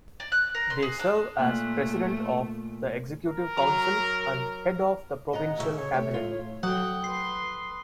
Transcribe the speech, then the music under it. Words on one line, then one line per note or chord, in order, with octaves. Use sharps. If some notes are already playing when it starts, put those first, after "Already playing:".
They serve as President of the Executive Council and head of the provincial Cabinet.
D5
F#6
A#4
C6
G#4
D4
A#2 A3 F#6
A#4
F#3 A#5
G#3 B3 D#5 F#5 A#5
D2 C#3 F#4 C#5 E5
C#5
A3 G4
A2 F4
C#5
F#3 A3 F#5 G5 D#6
B4 C6 C7